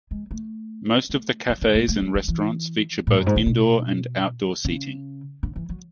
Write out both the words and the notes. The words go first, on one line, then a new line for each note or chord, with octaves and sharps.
Most of the cafes and restaurants feature both indoor and outdoor seating.
G#3
A3
A3
F#3
D3
A3
A3
G#3
F#3
E3
A2
F#2
G#2
D3
B2
C#3
D3
E3
F#3